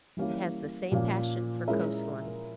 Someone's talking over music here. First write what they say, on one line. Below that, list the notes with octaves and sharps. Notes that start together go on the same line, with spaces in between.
It has the same passion for coast-line.
E3 G3 A#3 C#4 E4
A#2 F3 A#3 C#4
G#3 C#4 E4 A#4 E5